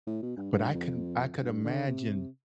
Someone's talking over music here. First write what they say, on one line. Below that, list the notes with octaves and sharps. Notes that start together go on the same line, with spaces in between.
but I can I could imagine
A2
B2
G2
G2
F2
G2
D3
C3